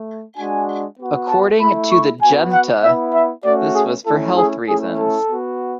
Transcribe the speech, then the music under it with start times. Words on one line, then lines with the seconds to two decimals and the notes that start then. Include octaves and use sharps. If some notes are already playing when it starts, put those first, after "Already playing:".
According to the junta this was for health reasons.
Already playing: A3
0.37 G#3 D4 F#4 G#5
0.99 B3 F#4
1.29 A5
1.61 A3 E4 B5
1.92 C#6
2.22 B3 F#4 G#5
2.53 F#5
2.83 B3 E4 E5
3.14 E5
3.45 A3 C#4 F#4 D5
3.75 G#4
4.07 A3 C#4 E4 A4
4.37 G#4
4.68 A3 C#4 E4 G#4
4.99 A4
5.30 B3 F#4